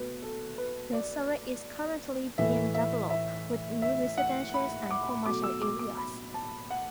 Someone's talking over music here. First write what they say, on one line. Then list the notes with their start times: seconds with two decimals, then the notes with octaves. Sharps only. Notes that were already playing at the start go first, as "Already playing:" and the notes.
The suburb is currently being developed with new residential and commercial areas.
Already playing: B2 A3 B4
0.22 A4
0.58 B4
0.93 D5
2.38 A2 E3 A3 E5
2.74 E5
3.10 E5
3.82 E5
4.18 F#5
4.54 B5
4.91 D6
5.26 B2 F#3 A3 D6
5.44 E6
5.62 D6
5.79 D6
5.97 B5
6.34 A5
6.70 F#5